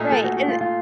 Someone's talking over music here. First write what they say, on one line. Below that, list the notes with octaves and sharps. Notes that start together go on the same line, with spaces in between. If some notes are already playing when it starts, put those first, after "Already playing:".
Right, and
Already playing: A#2 A3 D#4
A4
F#4
F#4
F4
F4